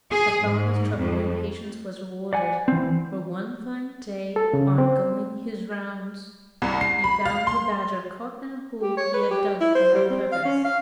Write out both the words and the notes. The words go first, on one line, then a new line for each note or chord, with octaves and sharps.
The farmer's trouble and patience was rewarded, for one fine day on going his rounds he found the badger caught in a hole he had dug for that purpose.
G#4
G#2
F2
D5 F#5 G#5
E3 C4
A4
C#3
C4
C2
C7
B5
F5
C6
G4
C#5
B4
G4
E4
C5
G3
C4
F5
C#4
F5